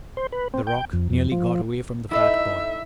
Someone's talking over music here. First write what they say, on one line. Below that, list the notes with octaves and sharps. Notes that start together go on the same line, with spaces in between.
The rock nearly got away from the fat boy.
C5
B4
C4
G5
F2
F2
F3
D#4 E4 A4 D#5 E5 E6